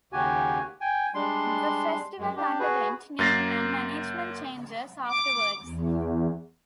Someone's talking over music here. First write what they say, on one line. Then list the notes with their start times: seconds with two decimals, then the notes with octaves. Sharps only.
The festival underwent name and management changes afterwards.
0.13 D#2 C#3 F#4 G4 G#5
0.81 G5 G#5
1.14 G3 G#3 D4 C6
2.19 F#2 G#3
2.37 D4 G4
2.60 F#4 G#4 B4
3.19 F#2 A#3 A6 A#6 C7
5.07 D6
5.63 E2